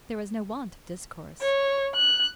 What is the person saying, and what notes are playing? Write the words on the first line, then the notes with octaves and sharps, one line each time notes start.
There was no want of discourse.
C#5
F#6